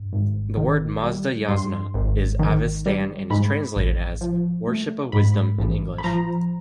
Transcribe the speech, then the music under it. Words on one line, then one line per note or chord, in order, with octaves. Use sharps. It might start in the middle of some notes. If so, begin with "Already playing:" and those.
The word Mazda-Yasna is avestan and is translated as "Worship of Wisdom" in English.
Already playing: G2
G#1
D#3
G3
G2 C6
G#1
D#3
G3
G#2 B5
A1
F3
A3
G#2 B5
A1
B5
F3 A#5